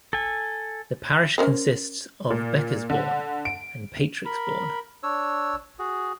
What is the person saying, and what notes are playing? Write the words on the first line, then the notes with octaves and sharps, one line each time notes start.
The parish consists of Bekesbourne and Patrixbourne.
A4 G#5
C#4 A#4 C5
A#2
D3
D7
A#4 B5
D4 C#5 E6
F#4 G#4